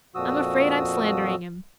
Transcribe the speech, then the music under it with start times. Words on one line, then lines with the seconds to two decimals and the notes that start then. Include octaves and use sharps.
I'm afraid I'm slandering him.
0.15 F2 A#2 F3 F#4 D#6 E6